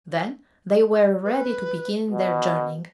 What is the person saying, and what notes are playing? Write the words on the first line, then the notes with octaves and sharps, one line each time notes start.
Then they were ready to begin their journeying.
B4
B2